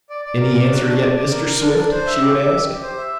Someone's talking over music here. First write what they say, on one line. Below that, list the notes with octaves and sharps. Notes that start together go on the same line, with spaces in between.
"Any answer yet, Mr. Swift?" she would ask.
D5
D5
A#4
D5
F#4
D4
D5
D5
A#4
A#4
D4
D4
C5
E5
G4
E5
G4
G4
C5
E5